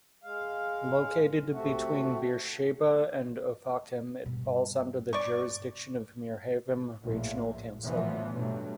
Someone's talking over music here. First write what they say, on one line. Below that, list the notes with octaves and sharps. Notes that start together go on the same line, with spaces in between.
Located between Beersheba and Ofakim, it falls under the jurisdiction of Merhavim Regional Council.
G#3 F5
C3 A3 F#4
G2 B2
D5 C#6
A#1 E2 A2
A1 F#2 A#2 E3 F3 B3
G2 B2 F#3 A3